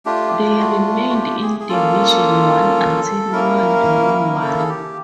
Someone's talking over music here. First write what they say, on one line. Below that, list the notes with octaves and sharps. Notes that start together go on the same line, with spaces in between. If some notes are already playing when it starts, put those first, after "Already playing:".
They remained in Division One until World War One.
A3 D4 F4 G4
G4
F#4
F#4
G4
G#4
G#4
A#3 C#4 F4 A4
A#3 C#4 E4 A#4
A#4
A4
G#4
G4